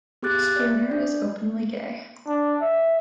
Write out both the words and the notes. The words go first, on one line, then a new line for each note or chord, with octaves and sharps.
Spooner is openly gay.
B3 G4 G#4 D6 F#6 A6
D5 E5
D4 D5
D4
E5